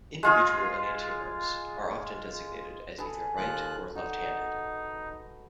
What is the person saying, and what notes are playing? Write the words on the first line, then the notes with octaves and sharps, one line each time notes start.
Individual enantiomers are often designated as either "right-" or "left-handed".
G#3 F4 G#4
G#4 A4 B4
D#2 F4 F#6
D#4 F#4